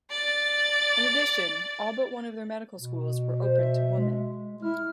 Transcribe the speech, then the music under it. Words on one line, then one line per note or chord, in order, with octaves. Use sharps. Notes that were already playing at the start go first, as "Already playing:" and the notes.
In addition, all but one of their medical schools were open to women.
D5 A6
B2
C5
E5
G#3
E4 F6